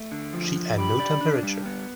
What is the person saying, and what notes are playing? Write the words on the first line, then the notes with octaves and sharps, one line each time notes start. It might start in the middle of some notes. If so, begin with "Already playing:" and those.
She had no temperature.
Already playing: A3
D3
F3
D3
G4 B5
D5
D4
G3
B3